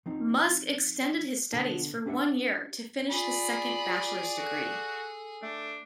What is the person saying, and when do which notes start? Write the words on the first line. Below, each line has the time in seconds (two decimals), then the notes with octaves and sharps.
Musk extended his studies for one year to finish the second bachelor's degree.
0.06 F3 C4 D#4
1.53 B2 D3 B3 D4 F#5 A5
2.06 C#4 D4 G4 B4 E5 F#5
3.10 F4 G#4 D5 B5
4.38 F#4 A4
5.42 A3 D4